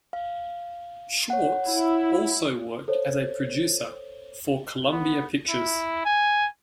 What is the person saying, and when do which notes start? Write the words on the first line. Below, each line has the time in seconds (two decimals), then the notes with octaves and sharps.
Schwartz also worked as a producer, for Columbia Pictures.
0.13 F5
1.30 C#5 F#5
1.64 E4
2.88 A4 C5 C#5
4.91 B3
5.49 E4
6.05 G#5